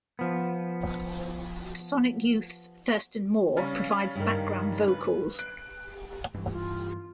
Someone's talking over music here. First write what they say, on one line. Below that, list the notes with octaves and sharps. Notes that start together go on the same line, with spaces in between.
Sonic Youth's Thurston Moore provides background vocals.
F3 B3
C#3 G3 C#4
G2 D#3
B4
F#6 D7
G2 E3
F4